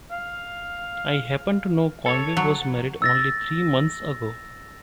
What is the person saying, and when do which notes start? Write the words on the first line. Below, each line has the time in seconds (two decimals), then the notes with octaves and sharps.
I happen to know Conway was married only three months ago.
0.11 F5
2.06 A4 C#5
2.37 F#3
3.02 E6 A6 A#6